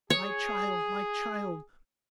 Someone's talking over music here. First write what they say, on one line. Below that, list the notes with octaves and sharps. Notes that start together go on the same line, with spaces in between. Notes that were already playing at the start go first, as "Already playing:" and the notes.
'My child, my child!
G#4 C#5